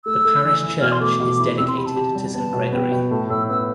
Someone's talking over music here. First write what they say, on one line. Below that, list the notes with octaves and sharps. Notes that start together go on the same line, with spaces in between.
The parish church is dedicated to Saint Gregory.
A3 E6
A3
E3
E3
B2 F6
C6
A3 D6
B2
E4
C3 E6
C6
G4 B5
A5
G4
G3
B3 A5
B2
B3 G5
B2
A2 A5
A2 E6
B3 E6